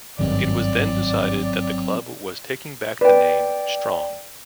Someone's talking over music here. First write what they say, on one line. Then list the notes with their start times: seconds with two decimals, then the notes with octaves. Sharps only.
It was then decided that the club was taking back the name "Strong".
0.19 G#1 G2 D#3 F#3 C4 D5
3.01 B4 D5 G5